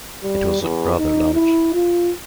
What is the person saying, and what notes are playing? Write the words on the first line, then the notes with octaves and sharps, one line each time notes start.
It was rather large.
G3
E2
D#4
E4
F4